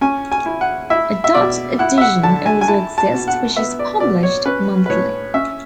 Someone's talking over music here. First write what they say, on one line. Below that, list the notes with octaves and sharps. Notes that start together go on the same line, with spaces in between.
A Dutch edition also exists which is published monthly.
C#4 G#5
G#5
E4
F#5
E4 E5
E5
B2 D5
E4 F#5
E5
F#5
D3 A5
G#5
G#5
E4 A5
A5
B2
F#5
B3 E5
D5
B2 D5
C#5
C#4 B4
B4
A2 C#5
C#4 E5